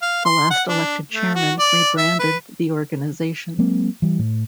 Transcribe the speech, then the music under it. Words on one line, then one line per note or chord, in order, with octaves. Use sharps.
The last elected chairman re-branded the organisation.
F5
C6
F#5
D4
A3
F#4
D5
E5
B4
F#3 G#3 A#3 C4
E3 G3
A2